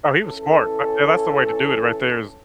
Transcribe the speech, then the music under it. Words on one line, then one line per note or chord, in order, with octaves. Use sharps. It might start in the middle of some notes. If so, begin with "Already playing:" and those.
Oh, he was smart, a and that's the way to do it, right there is
E3 C#4 A4